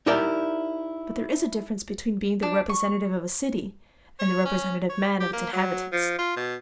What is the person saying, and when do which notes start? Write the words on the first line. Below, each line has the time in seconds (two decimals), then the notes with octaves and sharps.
But there is a difference between being the representative of a city and the representative man of its inhabitants.'
0.06 D#4 E4 G4 A#4 D5 E5
2.43 D4
2.69 C#6
4.19 C#5
4.45 C#4
4.89 C#5
5.20 G4
5.33 A#3
5.53 F#3
5.92 F3
6.18 F4
6.36 B2